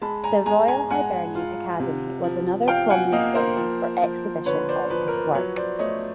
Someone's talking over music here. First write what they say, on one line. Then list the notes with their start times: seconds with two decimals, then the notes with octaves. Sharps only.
The Royal Hibernian Academy was another prominent venue for exhibition of his work.
0.02 G#3 A5 B5
0.24 G#5 A#5
0.46 G#3 G#5 A#5
0.68 G#5 A#5
0.90 G#3 F#5 G#5
1.35 F4
1.80 C3
2.24 F3
2.68 F3 F5 G5
2.90 F#5 G#5
3.12 A#3 D#5 F5
3.35 A#4 C5
3.57 F3
4.02 F3
4.46 D3 B4 C#5
4.68 C5 D5
4.90 F3 B4
5.08 A#4
5.13 B4
5.35 F#3 B4 C#5
5.57 C5 D5
5.79 A3 C#5 D#5